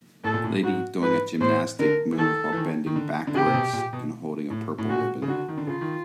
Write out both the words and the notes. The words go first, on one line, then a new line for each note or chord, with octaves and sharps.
Lady doing a gymnastic move while bending backwards and holding a purple ribbon.
A2 A4
A#2
A2
G#2 F#4
G#2 B4
A2 C5
D3 A#4
E3
D#3 A4
E3
D#3
D#3
D3
D3
C#3 G4
C3
B2
A#2
B2
A2
A2
A#2 F#4
C#3
D3 F#4
D#3
D3
C#3 F4
D#3